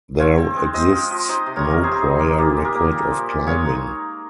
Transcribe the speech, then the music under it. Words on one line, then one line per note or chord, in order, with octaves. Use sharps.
There exists no prior record of climbing.
C4 C#5 F5
C4
G#3
G#3 C5 D#5
F3
F3
D#4 C5 D#5
C3
A#4 C#5
G3
D#4 G#4 C5
D#4
A#3
A#2 G4 A#4
A#2
G4 A#4
A#3
A#2
F3
A#2
G#3 C#5 F5
D#4